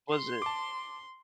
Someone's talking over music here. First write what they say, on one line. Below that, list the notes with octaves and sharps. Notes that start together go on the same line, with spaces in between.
Was it
C6
A5 D6